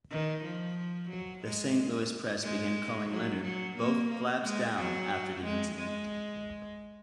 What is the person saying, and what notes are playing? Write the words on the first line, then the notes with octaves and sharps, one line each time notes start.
The Saint Louis press began calling Leonard "both flaps down" after the incident.
D#3
F3
F#3
G#3
G#3
F#3
F#3
A#3
A#3
G#3
F#3
G#3
G#3